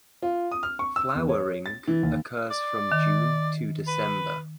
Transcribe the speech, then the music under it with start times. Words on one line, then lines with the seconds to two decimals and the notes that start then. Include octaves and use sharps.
Flowering occurs from June to December.
0.22 F4
0.51 D#6
0.63 F6
0.79 C#6
0.96 E6
1.15 E2
1.29 C#5
1.66 A6
1.88 E3
2.03 D#2
2.51 D5
2.92 D#3
3.87 B4